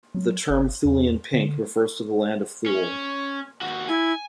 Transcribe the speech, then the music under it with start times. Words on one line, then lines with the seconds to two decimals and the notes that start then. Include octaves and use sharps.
The term "Thulian pink" refers to the land of Thule.
0.15 F#3
0.50 G1
0.85 E2
1.34 D3
2.66 C#4
3.61 D#2 F#4
3.89 E4 G#5